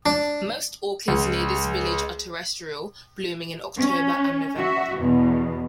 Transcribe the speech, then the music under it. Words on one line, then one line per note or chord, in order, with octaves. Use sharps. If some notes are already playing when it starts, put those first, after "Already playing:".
Most orchids near this village are terrestrial, blooming in October and November.
D4
C#2
C#4
F#4 E5
E2 B2